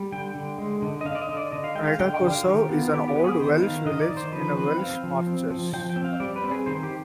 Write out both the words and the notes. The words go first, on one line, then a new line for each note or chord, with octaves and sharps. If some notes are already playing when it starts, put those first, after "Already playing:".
Rhydycroesau is an old Welsh village in the Welsh Marches.
Already playing: G3
D3 G5
D3
G#3
D3
D#5
D3 F5
D5
D#5
D3
D5
D3 D#5
F5
G#3 G5
F5
D3 G5
G5
D3
F5
D#3 G4
B3 F4
B3 G4
G4
B3
G#4
D#3 C5
D#3 F5
D#3 D#5
D5
D#3
C5
F3 B4
C4 B4
C4 F5
F3
C4
F3
F3 G5
G5
C4
F5
G3 D5
B4
C4
G#4
D#3 C5
G4